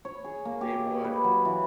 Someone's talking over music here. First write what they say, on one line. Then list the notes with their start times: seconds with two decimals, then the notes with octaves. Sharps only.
they would
0.05 C#5
0.24 G#4
0.45 A#3
0.61 G4
0.86 D#5
1.04 B4
1.24 F#3
1.45 E3